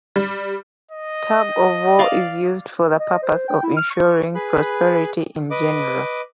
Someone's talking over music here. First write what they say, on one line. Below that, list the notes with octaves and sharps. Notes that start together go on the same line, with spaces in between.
Tug-of-war is used for the purpose of ensuring prosperity in general.
G3
D#5
D5 F5
D#5
C5
G5
E4
F6
C#6
G#4 B4 B5 F#6
B4 D#5 D6